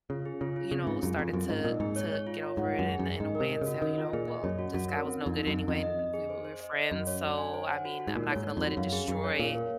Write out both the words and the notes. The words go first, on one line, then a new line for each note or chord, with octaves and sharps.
you know, started to to get over it in a in a way and say, "Oh, you know, well, this guy was no good anyway, and we were we were friends. So, I mean, I'm not gonna let it destroy
C#3 F4
G#4
C#3 F4
F4
C#3 C4
G#2 G#4
F#2 F4
F2 F4
F#2 C4
G#2 D#5
A#2 D#4
G#2 G#4
C#5
C#5
F4
F4
G#2 F#5
G#4
F#2
G#4
F#2 G#4
G#2 D#5
A#4
C3
D#5
C#3 F#4
D#3 D#5
F4
A#2 G#4
D#5
F#2 C#5
F#4
F#2 F#4
A#4
C4
D#4
F2
D#4
F#2 C4
F2 D#5
D#5
D#5
G#4
C5
C5
D#5
D#5
F#2 F#4
C#5
F#4
G#5
C5
F#5
F#4
F#4
G#2
A#2 D#4
G#2 C#5
D#4
F2
F#4
F#2 F5
G#4
F#2 G#4
C#5
A#2 F5
A#4